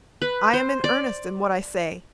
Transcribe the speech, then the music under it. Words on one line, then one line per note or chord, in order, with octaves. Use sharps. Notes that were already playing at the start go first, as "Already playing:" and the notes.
I am in earnest in what I say.
B4
C5
D5